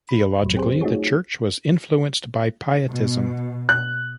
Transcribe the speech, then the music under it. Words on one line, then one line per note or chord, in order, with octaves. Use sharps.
Theologically, the church was influenced by pietism.
B5
C2 F2 A2 F#3
C4 G4 G#4 C5
A3 D#4 F4 F#4 G#4 C#5
B2
F#6